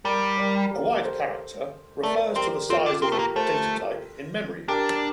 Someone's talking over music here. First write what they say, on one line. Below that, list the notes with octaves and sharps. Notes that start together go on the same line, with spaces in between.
A wide character refers to the size of the datatype in memory.
G3 A#4 D5
A#4 D5
G4 A#4
A4 C5
A3 A#4 D5
C5
C4 G4 A#4
C4 F4 A4
D4
C4 G4 A#4
A3
A#3
A3 A4 C5
D4 G4 A#4